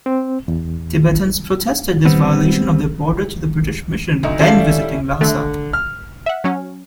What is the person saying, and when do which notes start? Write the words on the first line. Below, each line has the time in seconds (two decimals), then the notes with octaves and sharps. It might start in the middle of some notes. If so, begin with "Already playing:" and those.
Tibetans protested this violation of their border to the British mission then visiting Lhasa.
0.06 C4
0.48 E2
2.05 G3 B3 C4 B4
4.23 D2 F#3 D#4
4.39 G3 C#4 E4 A4 F5
5.21 D3 A3
5.73 F6
6.26 E5 F#5
6.44 F#3 C#4